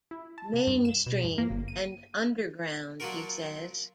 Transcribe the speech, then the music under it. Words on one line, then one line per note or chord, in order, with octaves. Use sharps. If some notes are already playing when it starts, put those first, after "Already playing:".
Mainstream and Underground, he says.
E4
A5
C3
G2
E7
B2
G2
A#3
G1
D#7
F#3 A#3 D4 F4 F#4 A#4